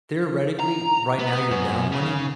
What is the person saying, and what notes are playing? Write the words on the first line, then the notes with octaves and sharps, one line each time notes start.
Theoretically, right now you're down money,
A#5
B3
F#2
C#3